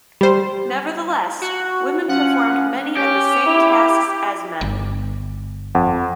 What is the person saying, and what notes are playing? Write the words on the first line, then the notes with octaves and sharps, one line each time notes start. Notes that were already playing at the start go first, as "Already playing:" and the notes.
Nevertheless, women performed many of the same tasks as men.
G3 C5
F#4
F3 C#4 F#5
C#4 G4
E4
G1
F2 F#5